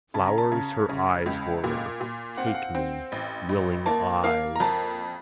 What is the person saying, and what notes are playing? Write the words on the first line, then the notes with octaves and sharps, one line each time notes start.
Flowers her eyes were, take me, willing eyes.
C#3 A5
A#5
A5
C#3
C#3
C#2
A#2
A#2
C4 F#5
F5
F#5
C4
A1
A1
A#3 A5
A#3 F5
A#5
F2 A5